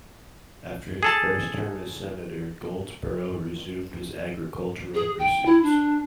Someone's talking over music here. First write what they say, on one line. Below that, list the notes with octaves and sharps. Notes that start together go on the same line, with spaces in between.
After his first term as Senator, Goldsborough resumed his agricultural pursuits.
G#4 A4 A5
G#4
G5
E4
D4